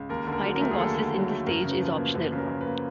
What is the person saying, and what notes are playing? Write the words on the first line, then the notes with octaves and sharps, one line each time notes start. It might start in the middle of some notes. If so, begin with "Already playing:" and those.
Fighting bosses in this stage is optional.
Already playing: C#2
D#2 A#4
D3
A#4
F#3
A#4
A3
G#4
D#2 A4
D3
F#3
A3
F#2 A#4
C#3
B4
F3
B4
A#3
F#2 B4
C#3 B4
A#4
F3
B4
A#3